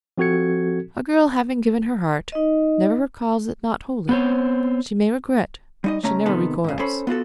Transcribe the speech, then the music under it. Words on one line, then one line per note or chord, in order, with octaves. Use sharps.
A girl, having given her heart, never recalls it not wholly: she may regret; she never recoils.
F3 C4 F#4 A4 G#6 C#7
D#4 D#5
B3 C4 C5 C#5
G3 D#4 D#5
C#2 A3 C#4 A#5
C3 D#3 B3 A4
G#2 C#3
C#4 A4 C5 B5
B3 F4 F#4 A4